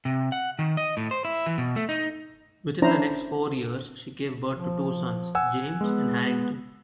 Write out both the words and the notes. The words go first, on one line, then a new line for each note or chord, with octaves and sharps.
Within the next four years she gave birth to two sons, James and Harrington.
C3
F#5
D#3
D#5
A2
C5
E4
E3
B2
A3
D#4
C#4 D4 E4 C5 A#5
F3
F#5 G#5 E6
G#3 B3